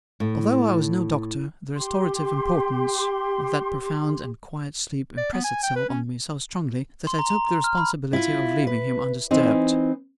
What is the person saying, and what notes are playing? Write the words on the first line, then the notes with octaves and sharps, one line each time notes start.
Although I was no doctor, the restorative importance of that profound and quiet sleep impressed itself on me so strongly, that I took the responsibility of leaving him undisturbed.
A2
G4 C6
D5
B3
G#5
G5
B4
C#4
C6
A#5
A#5
A#5
F6
B5
E4 F4
B4
E3 C4 D#4